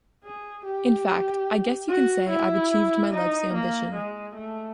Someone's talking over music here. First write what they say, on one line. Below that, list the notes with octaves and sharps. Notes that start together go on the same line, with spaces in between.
In fact, I guess you can say I've achieved my life's ambition.
G#4
G4
F#4
E4
D#4
A#3
G#3
A3